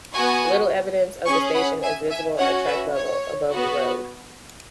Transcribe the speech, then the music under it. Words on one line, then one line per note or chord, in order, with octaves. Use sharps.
Little evidence of the station is visible at track level, above the road.
B3 F#4 G#5 C#6
C#4 G#4 G#5 C#6
F#5 B5
E5 G#5
E5 G#5
C#4 F#4 C#5 F#5
B4 E5
C#5
B3 F#4